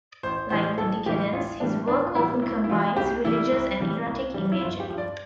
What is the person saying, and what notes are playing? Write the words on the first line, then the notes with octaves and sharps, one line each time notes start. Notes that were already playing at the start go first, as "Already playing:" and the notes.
Like the Decadents, his work often combines religious and erotic imagery.
A1 C5
A2 E3 G3 C5
A1 A4
A2 E3 G3 G4
A1 F4
A2 E3 G3 D4
A1 D4
F4
A2 E3 G3 E4
C2 E4
E4
C3 E3 G3 F4
C2 G4
C3 E3 G3 E4
C2
C3 E3 G3
C2
C3 E3 G3
E4
G1 F4
G4
G2 F3
D5